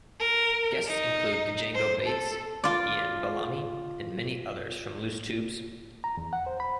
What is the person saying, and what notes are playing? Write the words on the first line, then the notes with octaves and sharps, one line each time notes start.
Guests included Django Bates, Iain Ballamy and many others from Loose Tubes.
A#4
D#4
C5
A4
F4 D5
A#5
E2
F#5
C5
B5